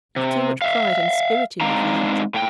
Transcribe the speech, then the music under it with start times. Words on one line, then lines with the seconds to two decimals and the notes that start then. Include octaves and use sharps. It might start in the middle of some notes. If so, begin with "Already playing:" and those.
You've too much pride and spirit in you for that.
0.16 C3
0.62 E5 F5
1.61 G#3 C4 D4 D#4 F5 A#5
2.34 A2 G5